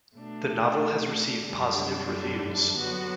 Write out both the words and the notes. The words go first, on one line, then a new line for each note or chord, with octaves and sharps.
The novel has received positive reviews.
B2 A3 D4
F#2 D3 G3 D4
D3 F#3 B3 F#4